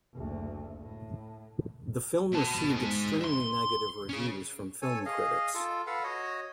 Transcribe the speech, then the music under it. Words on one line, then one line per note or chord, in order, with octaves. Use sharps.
The film received extremely negative reviews from film critics.
F#1 D2
A2
B2 A5
G#3 D#4
E5 C6
C#4 G#4
A4 C#5 G#5
G#4 D#5 F5
F4 A4
A4 B4 F5 F#5
F#4 C#5 D#5